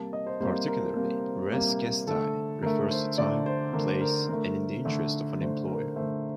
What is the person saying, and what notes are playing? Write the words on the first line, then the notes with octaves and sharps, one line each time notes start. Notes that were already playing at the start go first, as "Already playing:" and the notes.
Particularly, "res gestae" refers to time, place, and in the interest of an employer.
Already playing: C3 G3 A#3 A5
D#5
C5
C3 G3 A#3 C5
A#4
C3 G3 A#3
C3 G3 A#3
D3 A3 A4
D3 A3 A#4
C5
D3 A3 D5
C5
D3 A3 A#4
A#4
D3 A3 A#4
D3 A3
D3 A3 C5
A#4
D3 A3 C5